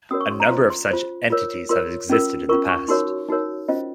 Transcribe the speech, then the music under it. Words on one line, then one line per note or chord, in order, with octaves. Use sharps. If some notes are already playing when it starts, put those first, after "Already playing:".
A number of such entities have existed in the past.
C#4 F#4 A#4 C#5 D#6
C#6
C6
A#5
F4 C5 C6
C6
F4 C5
F4 A#4 C#5
F4 A#4 C#5 C6
C#4 F4 A#4
C#4 F4 A#4 C#6
C#6
D#4 F#4 A#4 C#5 C6
D#4 F#4 A#4 C#5
C#4 F4 C5 D#5